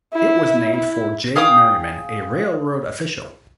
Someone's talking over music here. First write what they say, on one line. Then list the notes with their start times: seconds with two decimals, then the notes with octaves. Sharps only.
It was named for J. Merriman, a railroad official.
0.13 E4
0.74 E4
1.36 G#4 F5 G5 D#6